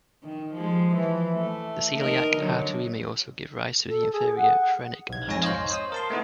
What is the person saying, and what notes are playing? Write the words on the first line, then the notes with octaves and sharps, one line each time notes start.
The celiac artery may also give rise to the inferior phrenic arteries.
D#3
F3 G#3
E3 F3
A3
D#3 A#4 D#5
D3 F#3
A4
G#4
F#5
B1 G#6
F2 G#2 D#4 C#5 G#5 A#6
C5 C#5 D#5 F5
C5 D#6
A#4 A5 C6
A3 B3 D#4 E4